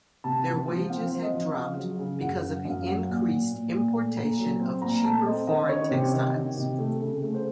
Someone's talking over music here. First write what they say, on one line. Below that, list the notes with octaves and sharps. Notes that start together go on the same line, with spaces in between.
Their wages had dropped because of the increased importation of cheaper foreign textiles.
C3 A5
F3
F3
C4 F5
C4
D#5
F3
C#3 F5
F#3
C#3
F#2 F#5
F#3 F5
F#2 F5
F#3 F#5
A#2
A#2
A#2
A#2
A3
A#2 A#5
F#3
C4
A#2 A#5
A3 A5
C4 D#5
D#3 D#5
C#4 C#5
C3 C5
D#3
D#3
C3
A3
C#3
A3
C5